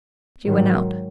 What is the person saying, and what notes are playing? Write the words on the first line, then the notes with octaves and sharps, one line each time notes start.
She went out.
G#2 D#3 F#3